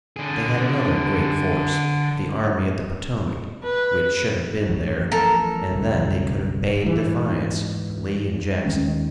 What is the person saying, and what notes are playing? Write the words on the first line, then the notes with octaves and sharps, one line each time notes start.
They had another great force, the Army of the Potomac, which should have been there, and then they could have bade defiance to Lee and Jackson.
D3 G#4
B4
A1 F3 F#3
A4 A#4
G1 C2 G2
G#2 E3
D#2 D#3 G#3 C#4